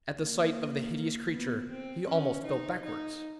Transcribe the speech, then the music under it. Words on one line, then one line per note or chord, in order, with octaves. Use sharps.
At the sight of the hideous creature he almost fell backwards.
A#3
B3
C4
C#4
D#4
D#4